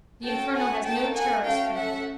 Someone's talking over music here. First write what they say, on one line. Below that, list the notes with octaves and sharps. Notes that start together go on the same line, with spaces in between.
The inferno has no terrors for me.
C#4 F#4 A4 G5 A5
F#5 G#5
A#3 D#4 F#4 A4 G5 A5
F#5 G#5
A3 C#4 F#4 A4 F5 G5
E5 F#5